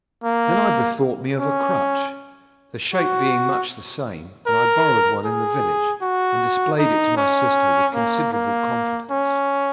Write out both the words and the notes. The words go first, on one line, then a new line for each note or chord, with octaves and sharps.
Then I bethought me of a crutch, the shape being much the same, and I borrowed one in the village, and displayed it to my sister with considerable confidence.
A#3
C#4
F#4
A#4
G#4
F#4
D#4
C#4
A#3
A#3
C#4